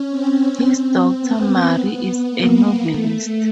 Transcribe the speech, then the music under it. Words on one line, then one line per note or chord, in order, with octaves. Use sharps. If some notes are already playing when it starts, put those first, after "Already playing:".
His daughter Marie is a novelist.
Already playing: C#4
C4
B3
A#3
A3